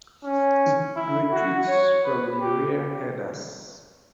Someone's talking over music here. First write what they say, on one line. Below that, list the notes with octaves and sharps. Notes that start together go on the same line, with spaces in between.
It retreats from the rear headers.
C#4
E4
F#4
C#5
B4
G4